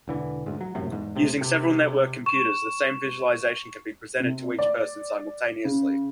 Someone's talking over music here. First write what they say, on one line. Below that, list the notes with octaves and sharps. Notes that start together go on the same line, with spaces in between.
Using several networked computers, the same visualization can be presented to each person simultaneously.
E1 D3 E3
D2 G#2
F#3
E1 F#2 A2 C3
E2 G#2
E1 A2 C3
C3
C#6 E7
C3
D5
C#3